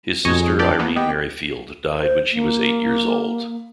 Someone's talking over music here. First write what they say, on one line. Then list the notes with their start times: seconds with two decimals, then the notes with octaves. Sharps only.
His sister Irene Merryfield died when she was eight years old.
0.25 F2 B2 C#5 D#5 G#5
0.41 G#4
0.59 D4 G4 D5 G5
0.79 E3 A#3 B3
0.96 B3 G4 D#5 G5
2.00 C5
2.32 A#3